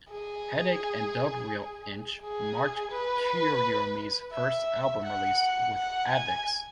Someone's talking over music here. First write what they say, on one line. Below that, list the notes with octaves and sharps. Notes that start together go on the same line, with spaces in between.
"Headache and Dub Reel Inch" marked Kuroyume's first album release with Avex.
G#4
G#4
B4
E5
F#5
F#5
G#5